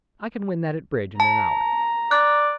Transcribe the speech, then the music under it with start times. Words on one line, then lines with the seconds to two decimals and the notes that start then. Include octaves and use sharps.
"I can win that at bridge in an hour."
1.20 A5 A#5
2.11 D5 F#6